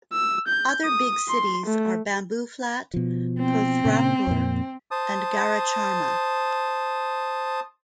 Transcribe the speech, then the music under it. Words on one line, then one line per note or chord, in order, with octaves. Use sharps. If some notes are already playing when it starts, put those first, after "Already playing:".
Other big cities are : Bambooflat, Prothrapur, and Garacharma.
E6
G6
D#6
C6
A3
B2 F3
C4
A#2 C#3
F2 A#2
C5 A5 D#6